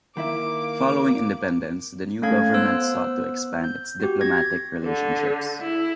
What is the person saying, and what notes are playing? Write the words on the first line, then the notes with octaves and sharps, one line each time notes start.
Following independence, the new government sought to expand its diplomatic relationships.
D#3 A#3 E4 E5 D6
A3 C#4 A4 F5 G#6
B3 C5 E6 F#6
G6
F#4 G4
G#6 A#6
D3
E4